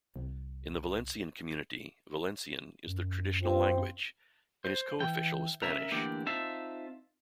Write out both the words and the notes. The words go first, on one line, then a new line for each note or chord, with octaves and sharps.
In the Valencian Community, Valencian is the traditional language and is co-official with Spanish.
C2
F#2
C4 F4
C5
E3 G5
C#3 F#3 A#4 E5 A#5
D2 D3 E3 A#3 G4 D5
C4 D#4 F4 E5 F5 A5